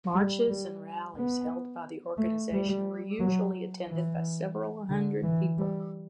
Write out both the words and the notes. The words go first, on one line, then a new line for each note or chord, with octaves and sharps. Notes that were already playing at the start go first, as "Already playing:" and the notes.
Marches and rallies held by the organization were usually attended by several hundred people.
G3
G3
B3
A3
G3
F#3
E3
D3
E3
G3